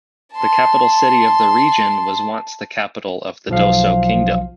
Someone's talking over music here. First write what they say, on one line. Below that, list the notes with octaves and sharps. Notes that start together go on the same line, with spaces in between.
The capital city of the region was once the capital of the Dosso kingdom.
A5 C6
B1 F3 F5